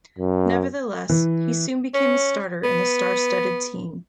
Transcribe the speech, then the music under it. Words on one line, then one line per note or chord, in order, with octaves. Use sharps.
Nevertheless, he soon became a starter in the star-studded team.
F#2
E3
C#4
B3